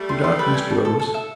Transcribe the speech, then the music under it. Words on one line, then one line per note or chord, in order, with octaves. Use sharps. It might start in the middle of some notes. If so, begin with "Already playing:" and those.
The darkness grows.
Already playing: G3 A3
C6
C6
B4
G#5
A5
A4
A4
E5